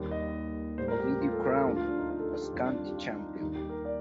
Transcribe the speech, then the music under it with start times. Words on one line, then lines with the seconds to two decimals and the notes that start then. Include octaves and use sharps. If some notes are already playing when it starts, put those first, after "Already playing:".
Ovidiu crowned as county champion.
Already playing: D#2 D#3 G3
0.11 D#5
0.78 A2 G3 C5
0.88 A#4
1.00 G4
1.10 G4
1.21 F4
1.32 A4
1.44 A#4
1.55 A4
1.65 D2 D3 F3 G4
1.76 F4
1.88 D4
1.98 D#4
2.10 F4
2.20 A4
2.42 G4
2.53 F2 D#3 G3 F4
2.65 D4
2.74 F4
2.86 G4
2.98 F4
3.19 D#4
3.41 D#2 D#3 G3 D#4
3.55 G4
3.69 A#4
3.85 D5